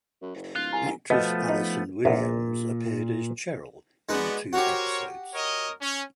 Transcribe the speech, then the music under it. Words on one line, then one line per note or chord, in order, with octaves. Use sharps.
Actress Allison Williams appeared as Cheryl in two episodes.
F#2
F#1
D1 F4 F#6
C2 G#5 A#5
B2 F3 A3 B3 D#5
D#4
A#1 E2 A#2
G#3 B3 D#4 F#4 B4 D5
F#4 G4 A#4 C5 C#5
A#4 C#5 D#5
C#4